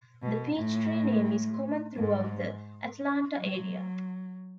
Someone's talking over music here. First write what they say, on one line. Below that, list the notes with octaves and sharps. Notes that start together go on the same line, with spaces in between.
The Peachtree name is common throughout the Atlanta area.
B2
A2
G#2
F#3